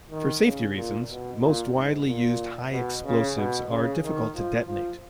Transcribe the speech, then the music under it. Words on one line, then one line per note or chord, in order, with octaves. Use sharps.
For safety reasons, most widely used high explosives are difficult to detonate.
D#3
C#3
A#2
B2
A#2
G#2
A#2
B2
C#3
B2
C#3
D#3
F3
F3